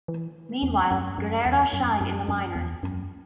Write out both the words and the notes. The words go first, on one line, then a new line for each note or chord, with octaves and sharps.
Meanwhile, Guerrero shined in the minors.
E3
E2
F#2
F#2
E2
F#2
F#2
F#2
E2
F#2